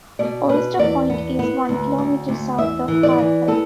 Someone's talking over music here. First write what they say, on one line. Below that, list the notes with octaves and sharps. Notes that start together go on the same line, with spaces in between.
Oyster Point is one kilometre south of Cardwell.
B2 D5
B2 B4
E2 D5
B3
B3
D2
D2
D2
E2 E5
E3
D5
E3
B3 A4